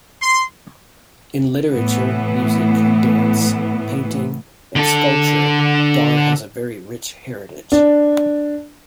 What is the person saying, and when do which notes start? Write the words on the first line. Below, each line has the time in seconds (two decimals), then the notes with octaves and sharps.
In literature, music, dance, painting and sculpture Dhar has a very rich heritage.
0.21 C6
1.70 A2 E3 A3 B3
4.76 D3 A4
7.72 D4